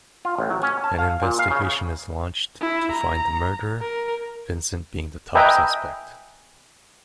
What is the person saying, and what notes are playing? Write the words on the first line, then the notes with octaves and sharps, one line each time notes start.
An investigation is launched to find the murderer, Vincent being the top suspect.
F4
A1
F#3
C#4
A5
F5
A#2
F5
C#3
E4
A#5
A#4
B4 D#5 E5 G5 G#5 A#5